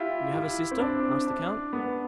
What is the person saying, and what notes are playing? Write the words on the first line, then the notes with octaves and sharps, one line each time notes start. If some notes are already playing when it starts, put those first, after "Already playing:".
"You have a sister?" asked the count.
Already playing: E4 F4 G4
E4
C4
D4
D4
B3